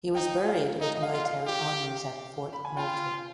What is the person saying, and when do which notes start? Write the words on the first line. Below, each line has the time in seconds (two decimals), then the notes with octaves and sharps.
He was buried with military honors at Fort Moultrie.
0.15 D#4 G5
0.48 F5
0.81 D#4 D#5
0.96 D#5
1.02 F5
1.13 F4
1.25 F5
1.47 G4
2.53 B5
2.65 G#5
2.77 F4 G5